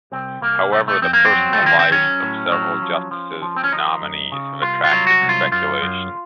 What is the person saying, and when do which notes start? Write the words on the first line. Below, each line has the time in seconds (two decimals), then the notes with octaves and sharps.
However, the personal lives of several justices and nominees have attracted speculation.
0.12 C2 C4
0.41 C2 A#3
0.71 C2 A3
0.88 A3
1.02 F2 C4
1.13 A#3
1.25 C4
1.32 F#3
1.53 A3
1.62 D#3 A#3
1.79 C4
1.91 F#3 C#4
2.22 A2
2.52 F#3
2.82 F3
3.11 F3
3.42 F3
3.56 C4
3.64 C#4
3.72 F3 D#4
4.01 F#2
4.32 C#3
4.62 C2 F4
4.84 F4
4.91 F#3
5.07 F#4
5.22 C2
5.29 F4
5.52 F#2 F4
5.82 F#2